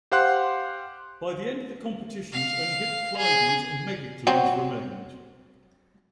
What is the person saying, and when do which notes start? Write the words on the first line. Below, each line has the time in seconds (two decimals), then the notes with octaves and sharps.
By the end of the competitions, only Hippocleides and Megacles remained.
0.12 G4 C5 F5 F#5 C6 F#6
2.32 F5
3.17 G#4
4.27 F#3 C4 F#4